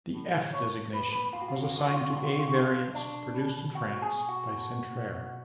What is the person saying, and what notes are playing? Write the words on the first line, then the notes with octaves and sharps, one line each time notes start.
The F designation was assigned to A variants produced in France by Centrair.
A2
A2 C#5
A2 B4
B4
A2 F4
F#4
F4
F#4
F4
F#4
F3 F4
F#4
F4
F#4
F4
B2 F#4
F4
F#4
F4
F#4
B2 F4
B2 D4
B2
B2 F#4
G#4
B2
F#4
B2
B2